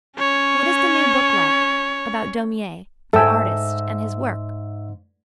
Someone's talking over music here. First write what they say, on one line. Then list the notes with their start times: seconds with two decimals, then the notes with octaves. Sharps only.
What is the new book like, about Daumier, the Artist and his Work?
0.18 C#4 C#5
3.13 G#2 A4 E5 G5 G#5 E6